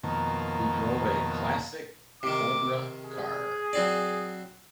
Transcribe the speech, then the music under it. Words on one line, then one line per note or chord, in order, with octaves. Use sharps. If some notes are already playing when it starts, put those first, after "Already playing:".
He drove a classic Cobra car.
F2 B2 D#3 A#3 A5
C3 D#3 D6
G#4
F#3 C4 D5